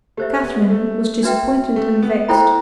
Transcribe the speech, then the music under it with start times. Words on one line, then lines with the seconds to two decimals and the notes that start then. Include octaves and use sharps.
Catherine was disappointed and vexed.
0.17 A3 G4 C5 E5
0.44 B3
0.70 A3
1.23 D4 F#4 B4 E5 G5
1.76 A3
2.02 B3
2.28 A3 E4 A4 C5 G5 B5